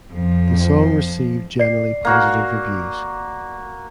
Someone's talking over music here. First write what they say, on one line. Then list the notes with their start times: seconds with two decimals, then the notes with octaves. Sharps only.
The song received generally positive reviews.
0.13 F2 F3
1.59 D5 C7
2.05 A#3 F#4